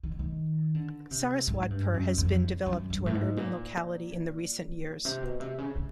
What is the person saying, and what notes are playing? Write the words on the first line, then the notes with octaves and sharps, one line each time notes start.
Saraswatpur has been developed to an urban locality in the recent years.
D#3
D3
D#3
D3
C3
G#2
G2
F#2
F2
F#2
G2
A2
G#2
A#2
C3
B2
C3
C#3
C#3